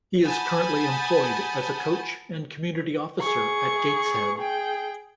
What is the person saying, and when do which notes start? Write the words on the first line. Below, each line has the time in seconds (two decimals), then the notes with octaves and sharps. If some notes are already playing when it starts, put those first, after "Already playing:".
He is currently employed as a coach and community officer at Gateshead.
0.25 F#5 G#5 A5 B5 D#6 G6
3.21 G#4 C#6
4.38 G#4 G5